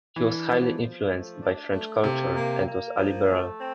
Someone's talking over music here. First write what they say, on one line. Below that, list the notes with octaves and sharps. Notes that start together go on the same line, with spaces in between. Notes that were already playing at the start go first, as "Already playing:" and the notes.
He was highly influenced by French culture and was a liberal.
E3 D4
F3
F3
A3
D4
A3
C3 A#3
A#3
A#3
F3
A3
C4